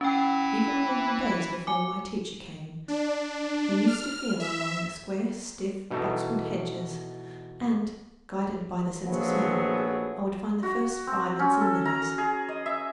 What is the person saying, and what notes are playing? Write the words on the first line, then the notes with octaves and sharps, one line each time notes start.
Even in the days before my teacher came, I used to feel along the square stiff boxwood hedges, and, guided by the sense of smell would find the first violets and lilies.
E3 C#4 G5
G#5 D6
D4
F6
E5
B2 E3 D#4 A4
A#1 F3 F#3 A3 B3 G#4
F#4
C4
C#4
A4
A#5
G#4
D#5
E5